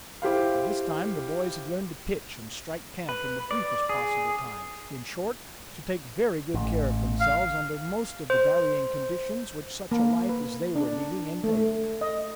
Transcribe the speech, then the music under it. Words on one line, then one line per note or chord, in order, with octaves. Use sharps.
By this time the boys had learned to pitch and strike camp in the briefest possible time--in short, to take very good care of themselves under most of the varying conditions which such a life as they were leading entailed.
E4 G4 C5 F5
B4
D5
G#4
A1
F5
C5
A#3
B4
D4
A3
D#5